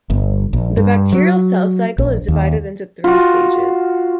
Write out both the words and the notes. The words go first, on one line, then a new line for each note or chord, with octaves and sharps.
The bacterial cell cycle is divided into three stages.
G1
A#1
G2
F#3
A#1
D#2
F4 F#4